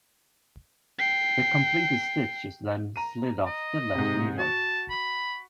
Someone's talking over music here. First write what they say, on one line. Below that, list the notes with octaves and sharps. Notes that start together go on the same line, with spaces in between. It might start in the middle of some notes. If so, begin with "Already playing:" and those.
The completed stitch is then slid off the left needle.
G5 C7
A#5 D#7
D#5
G#2 C3
F#4 A5
B5